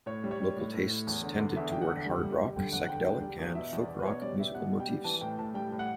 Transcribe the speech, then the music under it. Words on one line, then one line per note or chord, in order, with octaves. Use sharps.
Local tastes tended toward hard rock, psychedelic and folk-rock musical motifs.
A2 C#5
G3
C#5
G3
A2
A2
A2
E2
D3
D3
E2 E5
E2 G5
F#5
D3
G3
G3
G3
D3 G5
E2 F#5
F#5
D3 G5
E2 G5
G3
E2
B2 E5
E2
D5
E2
B4
B2 C#5
G3 D5
G3 E5
B2 F#5
G3
G5
G3
E3 A5
A2 G5
A2 A5
G3 G5
A2
F#5